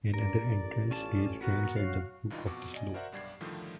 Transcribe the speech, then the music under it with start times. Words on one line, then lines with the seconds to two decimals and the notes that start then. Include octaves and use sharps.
Another entrance grave stands at the foot of the slope.
0.14 G2 A#4 D5
0.46 A1
0.91 C#4 F4 A5
1.41 B3 F#4 A#4
1.76 F#3 F5
2.30 C#2 G2 E3 G3 D#4 F4
2.46 F2 B2 F#4 C#6 D6
2.74 D5 D#5 G#5
2.94 F#4 A#4 C5 D5 E5 F#5
3.12 B1 G2 G3 D5 G#6 C7
3.41 A2 D3 D#3 F3 G3 A3